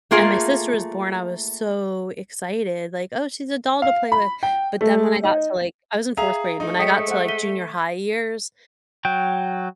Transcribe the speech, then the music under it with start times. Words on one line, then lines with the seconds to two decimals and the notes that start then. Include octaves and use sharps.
And my sister was born, I was so excited. Like, "Oh, she's a doll to play with." But then when I got to like I was in fourth grade. When I got to like junior-high years,
0.11 A3 A#3 F4 G#4
3.82 F5
4.12 B5
4.43 G5
4.81 A3
5.24 D#4
6.17 G#4 E5 F5 A#5 F7
6.60 A3 D#4
6.79 G#3 D#5 E5 G5 D#6 B6 C#7
7.08 C5 F#5
7.28 B6 D#7 G7
9.05 F#3 G5